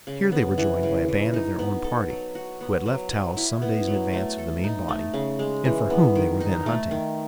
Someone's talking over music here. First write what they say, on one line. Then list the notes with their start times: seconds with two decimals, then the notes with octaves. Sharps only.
Here they were joined by a band of their own party, who had left Taos some days in advance of the main body, and for whom they were then hunting.
0.07 C#3
0.32 B3
0.58 E3
0.83 C#3
1.08 E3
1.34 D#4
1.59 B3
1.84 A4
2.10 F#3
2.35 F#4
2.61 B3
2.86 F#3
3.11 F#3
3.37 E4
3.62 B3
3.87 F#3
4.13 A3
4.38 A4
4.64 D#4
4.89 A3
5.14 C#3
5.39 G#3
5.65 E3
5.90 B3
6.15 D#3
6.40 D#4
6.66 A3
6.91 D#3